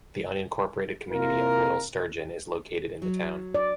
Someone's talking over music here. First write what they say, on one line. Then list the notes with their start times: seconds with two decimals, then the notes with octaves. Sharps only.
The unincorporated community of Little Sturgeon is located in the town.
1.11 C3 A#3 E4 F4 A#4
3.02 F#3
3.55 D5